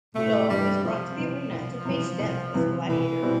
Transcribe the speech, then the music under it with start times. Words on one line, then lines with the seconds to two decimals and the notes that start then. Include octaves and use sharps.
Pullo is brought to the arena to face death as a gladiator.
0.14 C2 A2 A3
0.48 G2 C3 E3 G3
0.83 C2 F3
1.17 C3 E3
1.50 C2
1.85 C3 E3
2.19 C2
2.54 C3 E3
2.88 C2 E3
3.22 B2 G3 C4 E4